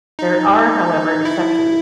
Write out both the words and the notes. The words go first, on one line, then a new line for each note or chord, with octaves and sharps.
There are however exceptions.
D#4
E4